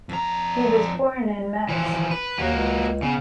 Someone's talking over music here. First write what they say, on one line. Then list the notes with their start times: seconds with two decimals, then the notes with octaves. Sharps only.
He was born in Metz.
0.09 F2 A#5
1.69 E3 F3
2.11 B4
2.39 D#2 A#3 F#4
2.53 C#2
3.02 C#3 B3